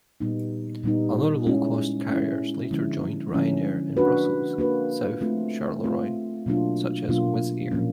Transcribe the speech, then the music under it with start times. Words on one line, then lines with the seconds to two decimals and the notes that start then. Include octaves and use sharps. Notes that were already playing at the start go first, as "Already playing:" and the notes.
Other low-cost carriers later joined Ryanair in Brussels South Charleroi, such as Wizz Air.
0.20 A#2 G3 B3 D#4
0.84 A#2 G3 B3 D#4
1.46 G#3 C#4 E4
2.08 G#3 C#4 E4
2.71 D3 F3 G#3 C#4 E4
3.34 D3 F3 G#3 C#4 E4
3.97 A#3 D4 F#4 B4
4.58 A#3 D4 F#4 B4
5.21 A3 C4 F4
5.83 A3 C4 F4
6.46 B2 F#3 A#3 D4 F4
7.09 B2 F#3 A#3 D4 F4
7.71 A#2 F3 A#3 C#4